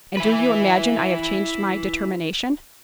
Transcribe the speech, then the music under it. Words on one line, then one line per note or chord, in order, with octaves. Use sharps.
And do you imagine I have changed my determination?
E4 B4